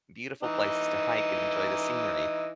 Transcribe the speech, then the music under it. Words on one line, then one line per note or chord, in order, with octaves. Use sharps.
beautiful places to hike and enjoy the scenery,
E3 D#4 D#5